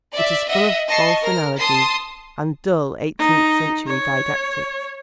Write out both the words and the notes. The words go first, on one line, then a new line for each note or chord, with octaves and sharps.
It is full of false analogies and dull eighteenth-century didactics.
D5 E5
D#5 E5 F#5
D#5 A5 C#6 C7
A#4 F6
A5 C6 D#6 C7
D#4
C#5